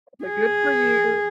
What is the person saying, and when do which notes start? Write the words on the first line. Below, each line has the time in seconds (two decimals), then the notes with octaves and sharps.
like, "Good for you."
0.25 G#4